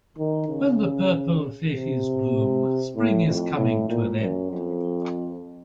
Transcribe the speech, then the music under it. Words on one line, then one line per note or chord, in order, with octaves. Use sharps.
When purple vygies bloom, spring is coming to an end.
D#3
C#3
C3
A2
F2
A2
A#2
F#2
F2